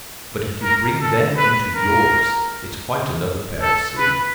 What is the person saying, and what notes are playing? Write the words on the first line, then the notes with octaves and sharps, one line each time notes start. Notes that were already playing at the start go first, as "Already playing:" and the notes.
But if you bring them into yours it's quite another pair of sleeves.
A#4
A4
B4
A#4
A4
B4